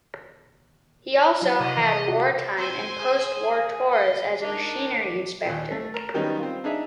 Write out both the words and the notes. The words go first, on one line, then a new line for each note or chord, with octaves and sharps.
He also had wartime and post-war tours as a machinery inspector.
F#3 E4 F#4 F5
C3 D#5 D6 D#7
E3 A#4 C5 E7
F#4 D5 C7
C4 C5 G#5
G#4
D#5
D4 D#4 A#4
D#2 A#2
A3
A#4
D#3 F#3 G3 B3 C#4 D#4
C4 F4
D4 D#4 G#4 E5